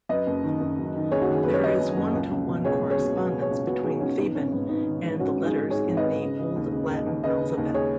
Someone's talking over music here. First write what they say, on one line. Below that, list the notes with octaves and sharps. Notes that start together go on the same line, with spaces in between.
There is one-to-one correspondence between Theban and the letters in the old Latin alphabet.
F#2 B4 D#5
F#1
D#3
F#1
F#2
D#3
F#1 G#4 C#5
F#4
D#3 G#4
F#2 B4
C#5
F#2 B4 D#5
F#2
F#1
C#2
C#2
B2
C#2 G#4 C#5
C#2
G#4 C#5
B2
B2 F#4 B4
B2
G#4 C#5
C#2
B2 F#4 B4
B2 D#4 G#4
C#2 C#4 F#4
G#1 B3 D#4
G#1 C#4
G#2 B3
G#1 B3 D#4
D#3
G#2
G#2 C#4 F#4
G#2
D#4 G#4
G#2
G#2 G#4 C#5
G#1
B4 D#5
G#2
C#3
C#3
D#2
C#3
D#2
D#2
C#3 B4 D#5
C#3
D#2
G#4 C#5